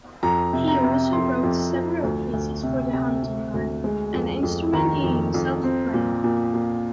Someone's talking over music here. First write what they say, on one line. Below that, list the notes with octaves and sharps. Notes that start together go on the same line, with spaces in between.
He also wrote several pieces for the hunting-horn, an instrument he himself played.
F2 A#5
C3
A#5
C3
F2 C6
F2
F3
D2
D2
C3
C3
C3
D2
G#3
F2
F2
D#3 A#5
F2
F2
C4
A#2
A#2
A#2